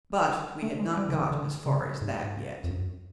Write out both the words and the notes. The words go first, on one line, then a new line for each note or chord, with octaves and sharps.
But we had not got as far as that yet.
A3
G#3
G3
D3
D#3
D3
C#3
G#2
F2
F#2